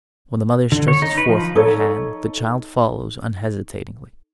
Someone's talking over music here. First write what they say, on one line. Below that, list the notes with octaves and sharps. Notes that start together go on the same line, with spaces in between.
When the mother stretches forth her hand the child follows unhesitatingly.
D3
C#5
D#4
B4
F3
D#4 A4 C#5